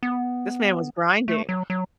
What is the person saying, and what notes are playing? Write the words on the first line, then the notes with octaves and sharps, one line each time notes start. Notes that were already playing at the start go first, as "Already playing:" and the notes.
This man was grinding.
B3
A3
F#3
F#3